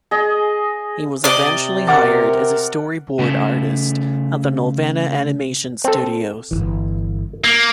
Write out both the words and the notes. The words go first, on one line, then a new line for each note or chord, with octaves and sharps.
He was eventually hired as a storyboard artist at the Nelvana Animation Studios.
G#4 D#5
C3 D5 D#5
A#4 F#5 D6 A6
C#3 A3
C4 A4
G1 C2 E3
A#3